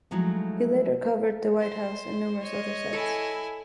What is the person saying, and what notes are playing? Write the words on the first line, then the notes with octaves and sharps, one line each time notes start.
He later covered the White House and numerous other sites.
F3 F#3 G#3 A3 D#4 E4
C5
C#5 D#5
E4 A4 G#5